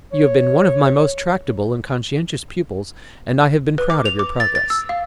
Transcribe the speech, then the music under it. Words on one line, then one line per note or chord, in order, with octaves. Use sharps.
You have been one of my most tractable and conscientious pupils and I have been proud of your progress.
C#5
B4
D6
F7
D6
A6
A6
E6
F5